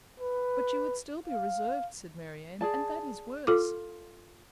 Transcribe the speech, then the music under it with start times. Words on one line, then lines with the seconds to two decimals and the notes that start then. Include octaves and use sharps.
"But you would still be reserved," said Marianne, "and that is worse."
0.20 B4
1.26 F5
2.61 G#4 D5 A5
3.47 F4 A4 D6